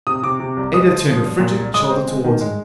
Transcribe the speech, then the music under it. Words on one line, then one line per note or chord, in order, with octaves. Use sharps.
Ada turned a frigid shoulder towards him.
C3 D#6
C3 D6
C3
C2
G#3 D#6
F3
F3
G2
A#2
C2
G#3 D#6
C4
G#3
D#3
G#3